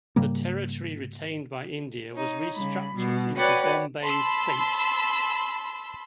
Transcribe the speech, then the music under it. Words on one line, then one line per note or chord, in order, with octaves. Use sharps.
The territory retained by India was restructured into Bombay State.
G#2 C#3 G3 A#3
D#4 C#5
C#3 G3 B5
B2 G3
F#4 B4 C#5 D5 F#5 G5
A5 B5 C6 E6